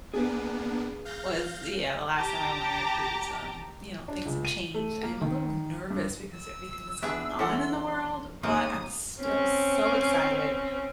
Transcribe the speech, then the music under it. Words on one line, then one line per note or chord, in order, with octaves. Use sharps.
was, yeah, the last time I went on a cruise, um, you know, things have changed. I am a little nervous because everything that's going on in the world, but I'm still so excited
A#3 B3 D4 G#4 B4
F5 G6 A#6
G4 A5 A#5 D6
D4
C#2
D#7
A3
A#3
D#3
G2
E6
B3 D4 G#4 E5
E3 C#4 E4 A4 F#5 C6
D#2 G#3 A#3 C4 D#6
C4 C#4